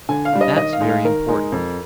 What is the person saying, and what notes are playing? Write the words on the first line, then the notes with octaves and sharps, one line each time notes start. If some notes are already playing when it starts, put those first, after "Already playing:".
That's very important.
D3 G#5
F5
G3 D4
D#5
D#3 D#5
F5
G#3 D#4
F5
D#3 A#4
G#3 D#4
F2